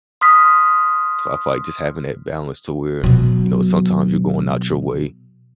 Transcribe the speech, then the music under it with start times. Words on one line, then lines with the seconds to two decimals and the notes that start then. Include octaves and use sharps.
So I feel like just having that balance to where, you know, sometimes you're going out your way
0.21 C6 D#6 F6 B6
3.04 B2 F#3